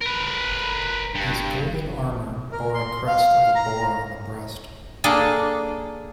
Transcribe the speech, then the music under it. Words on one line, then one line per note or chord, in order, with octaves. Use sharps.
His golden armor bore a crest of a boar on the breast.
A#4 B4
G2
A#4
C6
F5
A#5
A#3 D4 G#4 A4